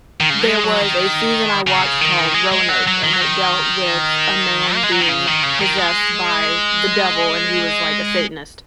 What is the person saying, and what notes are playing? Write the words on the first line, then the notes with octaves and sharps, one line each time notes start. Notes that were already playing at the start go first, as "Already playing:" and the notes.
there was a season I watched called Roanoke, and it dealt with a man being possessed by the devil and he was like a Satanist.
D#3
C#3
G#3
F#3
D#3
C#3
D#3
G#3
G#3
F#3
F#3
D#3
F#3
D#3
A#3
G#3
F#3
D#3
C#3
D#3
C#3
D#3
G#3